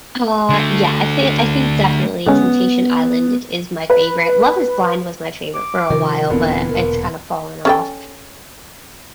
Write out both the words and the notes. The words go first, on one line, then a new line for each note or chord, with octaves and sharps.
Uh, yeah, I thi I think definitely Temptation Island is my favorite Love is Blind was my favorite for a while, but it's kind of fallen off,
D3 A3
D3 G#3 B3 C#4
B4
D6
C3 D#3 F3 A#4
D#1 A#2 D3 E3 B3 C4 B4
E1 A#4
C#4 A4 G5